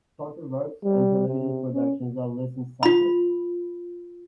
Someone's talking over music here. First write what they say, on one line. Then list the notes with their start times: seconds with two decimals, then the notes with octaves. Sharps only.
Shorter works and television productions are listed separately.
0.84 G3
1.28 C3
1.73 C#4
2.83 F4 B5